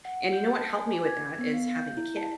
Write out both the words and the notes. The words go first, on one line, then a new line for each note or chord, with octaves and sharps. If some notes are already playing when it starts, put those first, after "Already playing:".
and you know what helped me with that is having a kid.
F#5
G6
A5
G#5
D6
G#6
B3
F5
G6
E4
A5